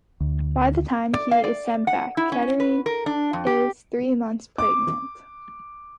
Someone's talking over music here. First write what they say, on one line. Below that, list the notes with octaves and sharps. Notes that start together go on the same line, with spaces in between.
By the time he is sent back, Catherine is three months pregnant.
D2
D5
F5
D5
F#5
E4
C#4
B4
A#4
D4
F2
G4
D6